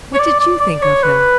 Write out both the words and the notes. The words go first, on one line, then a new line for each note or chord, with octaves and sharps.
What did you think of him?'
C#5
D5
D5
D5
C#5
B4